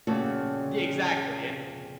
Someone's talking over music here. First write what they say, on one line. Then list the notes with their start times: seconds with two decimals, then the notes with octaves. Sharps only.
Yeah, exactly, and
0.07 F2 A#2 C#3 F#4 A4